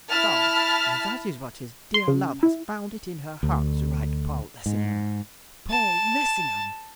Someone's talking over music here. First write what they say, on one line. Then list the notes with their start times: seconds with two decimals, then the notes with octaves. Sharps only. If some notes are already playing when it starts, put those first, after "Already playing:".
'So!--That is what his dear love has found it in her heart to write Paul Lessingham!--Paul Lessingham!'
0.10 E4 A5 B5 F6
1.94 C6
2.08 C#3
2.43 E4
3.43 D2
4.66 G#2
5.70 A5